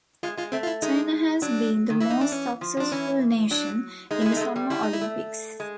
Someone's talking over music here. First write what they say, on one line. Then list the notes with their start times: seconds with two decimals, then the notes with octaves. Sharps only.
China has been the most successful nation in the Summer Olympics.
0.23 G#3 F4
0.37 G#3 F4
0.52 A3 C4
0.63 F4
0.67 E4
0.82 G#3 D#4
1.42 F#3 D4
1.90 D#3
2.00 E3 E4
2.10 D#4
2.21 D4
2.32 C#4
2.61 F3
2.77 F3 D4
2.92 E3 C#4
3.51 F#3 D4
4.11 G#3 D#4
4.21 G#3 E4
4.32 A3 D#4
4.41 G#3
4.56 G3
4.70 G3 E4
4.83 D#4
4.94 E4
5.01 A3
5.60 G#3